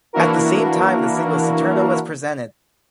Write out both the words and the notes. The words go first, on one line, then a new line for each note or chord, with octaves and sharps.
At the same time the single "Saturno" was presented.
E3 A#3 D4 E4 F#4 A#4